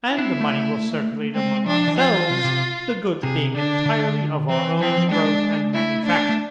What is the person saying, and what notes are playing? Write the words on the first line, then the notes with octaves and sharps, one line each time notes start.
And the money will circulate among our selves, the goods being entirely of our own growth and manufacture.
E4
D4
C4
B3
A3
G#3 C4
F3 D4
E3
F3 F4
E3
C3
C3
C3 G#4
D3 D4
D3
E3 C4
F3 C4
E3
F3
G#3 D4
A3 E4
D4
A3